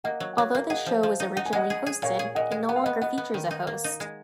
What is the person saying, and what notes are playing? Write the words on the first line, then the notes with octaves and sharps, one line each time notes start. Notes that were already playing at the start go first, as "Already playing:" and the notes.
Although the show was originally hosted, it no longer features a host.
A#3 D#5 F#5
F#3
F#5
F#3 C#5 F5
A#3
G#4 D#5 F#5
F3
F3
D#4
D#4 F#5
G#5
G#3 D#5 F#5
G#4
G#4
A#2 C#5 F5
G#4
A#2 D#5 F#5
G#3
B3 F#5
F5
B3 D#5 F#5
B3 D#5 F#5
B3
D#3
D#4
A#3
D#4
G#3